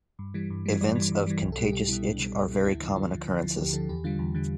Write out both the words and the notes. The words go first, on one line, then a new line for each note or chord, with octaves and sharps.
Events of "contagious itch" are very common occurrences.
G2
E3 G3
G2
E3 G3
G2 D5
E3 G3
G2
E3 G3
C2
A4
B2 G3 G4
C2 G4
B2 G3 E4
C2 D4
B2 G3
C2
B2 G3
D2 E4
D3 F3
D2 F4
D3 F3
D2
D3 F3
D2 G4
D3 F3 A4
E2 G4
D3 G3 F4
E2
D3 G3